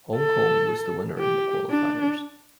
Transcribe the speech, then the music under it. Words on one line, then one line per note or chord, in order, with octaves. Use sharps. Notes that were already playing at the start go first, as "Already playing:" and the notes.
Hong Kong was the winner in the qualifiers.
A4
G4
D4